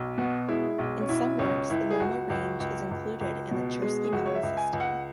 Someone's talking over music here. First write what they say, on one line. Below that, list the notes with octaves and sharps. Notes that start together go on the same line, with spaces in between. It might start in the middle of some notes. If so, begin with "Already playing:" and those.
In some works the Moma Range is included in the Chersky mountain system.
Already playing: B1
B2 F#4
G#3 E4
B1
C#4
B1 E4
C#2 C#4
C#2 E4
G#4
C#2 F#4
C#2
C#2
C#2
C#2
B2
G#3
G#4
C#2 F#4
C#5
E5
C#2
G#5
C#2
F#5